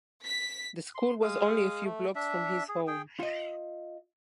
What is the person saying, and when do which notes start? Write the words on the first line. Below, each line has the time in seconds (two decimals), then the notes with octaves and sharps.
The school was only a few blocks from his home.
0.24 B6
0.95 C6
1.22 G#3 F5 D#6
1.84 A3
2.15 D4 E5
2.69 G#4
2.87 G#4 G5
3.19 F4 D#5